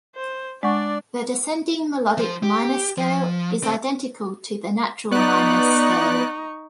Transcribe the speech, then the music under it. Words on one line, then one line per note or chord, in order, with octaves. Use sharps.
The descending melodic minor scale is identical to the natural minor scale.
C5
G#3 D4 D5 F#5 C#6
F3 C5
G4
F3
C#2 C4
B3 D#4 D5 C#6 F#6